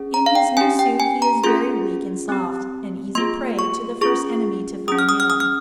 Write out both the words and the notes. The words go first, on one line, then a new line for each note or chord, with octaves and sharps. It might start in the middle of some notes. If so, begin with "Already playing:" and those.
In his new suit he is very weak and soft--an easy prey to the first enemy to find him.
Already playing: C#4 G#4
A#5
F5
G5
C#4 G4 G#5
G5
G#5
A#5
C#4 F4 G#4 C6
C4 G4
A#3 F4 G#4 C6
C#6
C#4 F4 G#4 C#6
C#4 G#4 D#6
F6
D#6
F6
D#6
F6